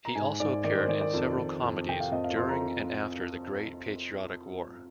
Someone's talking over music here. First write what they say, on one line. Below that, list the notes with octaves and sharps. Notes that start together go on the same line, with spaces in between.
He also appeared in several comedies during and after the Great Patriotic War.
A#5
G#2 G#5
G#2 D5
D#3 D5
C5
D#3 D5
D5
F2
F2
F2
C3 G5
F5
F2 D#5
F5
F2 C6
A#5